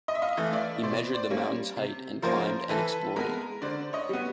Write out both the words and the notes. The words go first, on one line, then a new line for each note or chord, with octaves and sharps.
He measured the mountain's height and climbed and explored it.
D#5
E5
D#5 F5
E3 A3
D5 E5
B2 C5 D5
C5 D5
G3 A#3 C#4
C3
F3 A#3 C#4 A#4 C5
E3 A4 B4
G#3 B3 A#4
D3 C5 D5
C#5 D#5
G3 B3